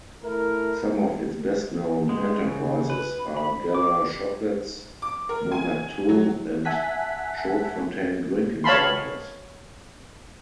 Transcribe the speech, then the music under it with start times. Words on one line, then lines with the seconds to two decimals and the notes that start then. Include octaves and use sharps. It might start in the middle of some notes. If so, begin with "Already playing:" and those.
Some of its best-known enterprises are Galler chocolates, Magotteaux and Chaudfontaine drinking waters.
0.23 A3 E4 A#4
2.09 G#3
2.45 C#3
2.90 B4
3.37 B5
3.74 D6
5.02 D6
5.29 A#4
5.52 G#5
6.09 F#3
6.65 E5 F#5 G#5 A5 F#6 B6
8.64 C#5 F5 A5 B5 C6